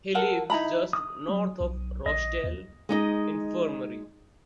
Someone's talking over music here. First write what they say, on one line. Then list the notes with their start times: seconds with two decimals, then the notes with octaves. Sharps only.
He lives just north of Rochdale Infirmary.
0.15 A4 A#4 F#5
0.50 D#4 E4 A#5 B5
0.93 D#6
1.28 F#3
1.60 B1
2.06 A#1 D#5
2.44 D#2
2.89 G#3 D#4 D#5